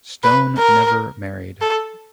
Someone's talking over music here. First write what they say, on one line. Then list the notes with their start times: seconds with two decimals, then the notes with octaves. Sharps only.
Stone never married.
0.24 B4
0.58 A#4
1.62 A4